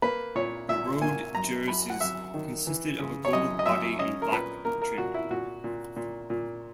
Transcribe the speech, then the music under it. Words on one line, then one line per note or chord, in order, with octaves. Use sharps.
The road jerseys consisted of a gold body and black trim.
A#3 B4
A#2 C#5
A#2 E5
A#3 G#5
F#2 A#5
F#2 B5
F#5
F#2 E5
D#3
E3
C#3
C#5
F#2 D#5
D#5
F#2 E5
C#4 D#5
A#4
A#2 B4
A#3 A#4
A#4
A#2 F#4
E4
A#2 F#4
A#2
A#2
A#2